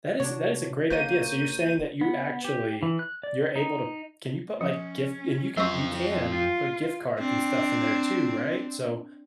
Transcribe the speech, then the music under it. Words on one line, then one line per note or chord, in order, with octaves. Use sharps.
that is that is a great idea. So, you're saying that you actually you're able to can you put, like, gift and you can you can put gift cards and stuff in there too, right? So
C3 F#3 D4 C#5
F#1 A#3 F#4 C#5 G6 D#7
B3
G4
E3
F#6
D5
D#4
F3 C#4
F2 F#3 C5 C#6
F4
C4 D4